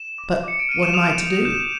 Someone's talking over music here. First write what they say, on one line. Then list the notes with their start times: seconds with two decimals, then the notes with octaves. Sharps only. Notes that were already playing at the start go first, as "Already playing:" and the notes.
But--what am I to do?
Already playing: E7
0.18 D6
0.44 D6 C#7
0.60 D7
0.69 F6 D#7
0.83 E7
0.94 D#6 F7
1.19 G6
1.35 F7
1.45 G6 E7